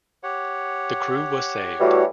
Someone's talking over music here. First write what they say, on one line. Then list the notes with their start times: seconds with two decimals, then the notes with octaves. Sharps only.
The crew was saved.
0.23 G4 C#5 F#5
1.79 A2 E3 G3 F#4